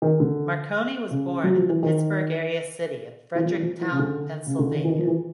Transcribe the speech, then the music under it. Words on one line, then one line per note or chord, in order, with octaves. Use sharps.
Marconi was born in the Pittsburgh area city of Fredericktown, Pennsylvania.
D#3
D3
C#3
F#3
F3
E3
D#3
E3
F3
E3
F3
E3
C#3
D3
C#3
D3
D#3
E3
D#3
F3
E3